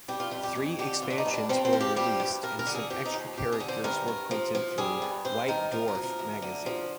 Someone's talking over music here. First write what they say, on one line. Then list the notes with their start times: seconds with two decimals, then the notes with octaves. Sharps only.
Three expansions were released and some extra characters were printed through "White Dwarf" magazine.
0.08 G3 G4
0.20 F4
0.31 F2 F4
0.43 G4
0.55 F2 G#4
0.79 D3 G4
1.02 G2 F4
1.10 D4
1.18 D#4
1.26 G2
1.34 D4
1.49 F3 C4
1.65 C4
1.73 F3
1.81 G4
1.96 G3 G4
2.20 G2
2.43 G2 A#4
2.59 A#4
2.66 D3
2.75 G#4
2.90 F3 G4
3.05 D#4
3.14 D#2
3.37 D#2 G4
3.52 G#4
3.60 D3
3.68 C5
3.84 G2 A#4
4.08 G2
4.31 F3
4.55 F3
4.78 G3 G#4
5.02 G2
5.25 G2 C5
5.48 D#3 A#4
5.72 F3 A#4
5.88 A#4
5.95 D2
6.03 A#4
6.19 D2
6.42 D3
6.66 F3